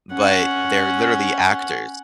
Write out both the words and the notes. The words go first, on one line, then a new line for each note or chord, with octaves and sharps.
but they're literally actors.
C#4 F#5